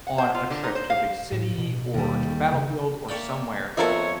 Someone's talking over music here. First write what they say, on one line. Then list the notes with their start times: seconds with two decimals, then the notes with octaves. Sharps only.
on a trip to a big city or to a battlefield or somewhere
0.07 F#5
0.18 C5
0.34 F4
0.50 D3
0.64 D#4
0.75 C5
0.90 F5
1.32 A2
1.58 B2
1.94 D#2 G3
2.53 C#3
3.09 A#3 C#5 D5 E5 G5
3.77 F2 F3 B3 F#4 A4 A#4 C#5 E5